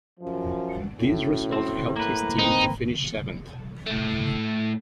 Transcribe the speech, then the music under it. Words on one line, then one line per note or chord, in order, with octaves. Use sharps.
This result helped his team to finish seventh.
F#2 F3
A2 C#4 F#4
C4
A#3 B4
C4 D#4
A2 A3